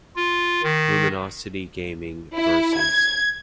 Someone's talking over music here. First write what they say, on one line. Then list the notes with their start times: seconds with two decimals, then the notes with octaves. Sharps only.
Luminosity Gaming vs.
0.16 F4
0.63 D#3
2.35 E4
2.79 G#6